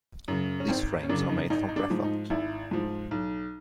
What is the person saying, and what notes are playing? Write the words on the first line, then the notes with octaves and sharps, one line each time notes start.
These frames are made from graphite.
F#2 C#3
C#4
G#1 C4
C#4
F#2 C#3 D4
D#4
G#1 D#4
D#4
D4
G#2 F3
D#4
G#1 E4
G#2 F3
B1